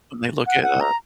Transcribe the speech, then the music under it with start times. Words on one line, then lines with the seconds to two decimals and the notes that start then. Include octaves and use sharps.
when they look at, uh
0.47 F#5
0.63 F#5
0.80 A#5